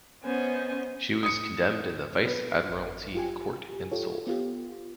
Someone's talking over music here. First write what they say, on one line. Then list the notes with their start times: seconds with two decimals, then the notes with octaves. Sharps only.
She was condemned in the Vice admiralty court and sold.
0.23 B3 C#4 C5 D#5 G#5
1.23 D#6 C#7
2.24 B3 B4
2.69 G#1
3.15 F4 G4 G#5
3.91 F4 G4 A4 C#5
4.27 B3 F4 G4